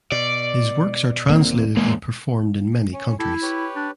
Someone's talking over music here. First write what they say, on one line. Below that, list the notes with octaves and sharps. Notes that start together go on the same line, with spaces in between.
His works are translated and performed in many countries.
B2 D5
D#1 A#3 C4
E2 G#3 A#3
C#4
E4 G4 A4
G4 B4 C#5
D4